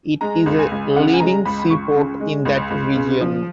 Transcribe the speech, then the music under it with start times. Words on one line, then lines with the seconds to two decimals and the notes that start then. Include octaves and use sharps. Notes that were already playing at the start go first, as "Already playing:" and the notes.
It is a leading seaport in that region.
0.21 G#3 A#5
0.46 C#2
0.59 G#5
0.71 C#2
0.96 C#3 F#5
1.14 G#5
1.20 G#3 A#5
1.45 C#2 B5
1.59 B5
1.70 C#2 C#6
1.95 C#3
2.20 G#3
2.45 C#2
2.70 C#2
2.95 C#3
3.21 F3